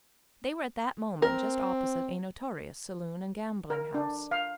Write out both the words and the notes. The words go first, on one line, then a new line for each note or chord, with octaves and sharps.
They were at that moment just opposite a notorious saloon and gambling house.
C4 A#4
A#4
D4
F5